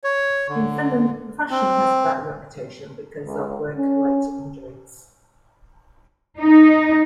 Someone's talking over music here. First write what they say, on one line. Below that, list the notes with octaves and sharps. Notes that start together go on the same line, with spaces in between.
In Finland the profession has had a bad reputation because of work-related injuries.
C#5
D3
C4
C#2
C#4
D#4